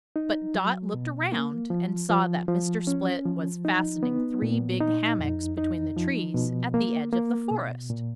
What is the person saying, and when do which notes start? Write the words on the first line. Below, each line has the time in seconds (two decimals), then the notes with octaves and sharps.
But Dot looked around and saw that Mr. Split was fastening three big hammocks between the trees at the edge of the forest.
0.16 D#4
0.55 F#3
0.94 B2
1.32 A#3
1.70 F3
2.10 F3
2.48 F3
2.87 C#4
3.26 F3
3.65 D#4
4.03 B3
4.42 A#2
4.80 D#4
5.19 F2
5.57 D#4
5.97 F3
6.34 B2
6.74 A#3
7.12 A#3
7.51 B2
7.90 A#2